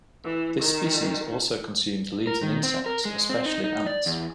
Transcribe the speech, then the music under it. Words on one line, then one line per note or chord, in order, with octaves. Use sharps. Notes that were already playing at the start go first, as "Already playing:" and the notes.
This species also consumes leaves and insects, especially ants.
E3
D#3
A#4
D#3
C4
A#4
G#3
C4
D#4
D#4
D5
E2